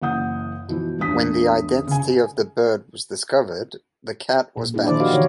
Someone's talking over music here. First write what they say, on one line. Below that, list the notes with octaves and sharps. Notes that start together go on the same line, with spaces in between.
When the identity of the bird was discovered, the cat was banished.
F#1 E3 F#5 D#6 G6
B2 E3 F3
A1 E2 D4 D#6 B6
C#3 G#5
A#2
D4 E4 G#4
D#3 F3 E4 C5 D5
F#4 G4 A4 D5 D#5 F5
D3 E3 D#4 C#5